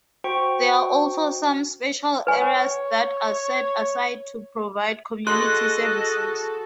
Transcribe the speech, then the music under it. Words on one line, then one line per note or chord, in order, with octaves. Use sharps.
There are also some special areas that are set aside to provide community services.
F#4 C5 G5 C#6
B4 C#5 G#5
F#4 G#4 A4 D#5 C6 F#6